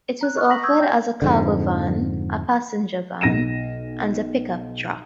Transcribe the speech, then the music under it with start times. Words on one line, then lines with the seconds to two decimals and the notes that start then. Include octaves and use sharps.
It was offered as a cargo van, a passenger van, and a pickup truck.
0.21 A#5 F#6
0.36 B4 D#5 C#6 F6 F#6
0.49 A#5 C#6 A#6 B6 F#7
0.63 C#6 D#6 E6 G6 G#6
0.79 D5 G5 A#5 G6 A#6
1.22 F2 G#2 D3
3.21 B1 A#6 D#7 E7